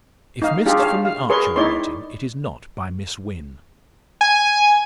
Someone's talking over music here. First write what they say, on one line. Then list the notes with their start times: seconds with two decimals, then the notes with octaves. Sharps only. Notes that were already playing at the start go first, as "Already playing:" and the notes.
If missed from the archery meeting, it is not by Miss Wynn.
0.42 D#4 F5
0.66 D4 F4 G4 G#4
0.79 C#5 F5
1.05 F5
1.30 G#4 A#4 B4 C#5 C6 C#6
1.56 D#4 E4 C#5 D5 C6
4.21 G#5